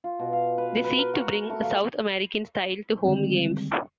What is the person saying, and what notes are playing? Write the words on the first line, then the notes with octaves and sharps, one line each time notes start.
They seek to bring a South American style to home games.
F4
B2
F5
B4
B4
A#4
F#4
A#4
A3
F5
D3 D#3 G3 G#3 C4